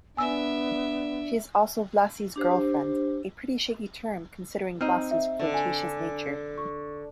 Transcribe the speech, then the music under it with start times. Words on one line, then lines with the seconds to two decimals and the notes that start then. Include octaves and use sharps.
She is also Vlassis' girlfriend, a pretty shaky term considering Vlassis' flirtatious nature.
0.17 B3 D4 D5 E5 G#5 E6
2.36 D4 G4 C5
4.81 C4 D#4 F6
5.11 E5
5.39 D3
5.54 G#5
6.58 C#6